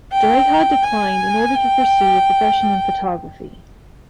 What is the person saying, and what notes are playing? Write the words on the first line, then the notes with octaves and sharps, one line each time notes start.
Dreja declined in order to pursue a profession in photography.
G5
G#5
G5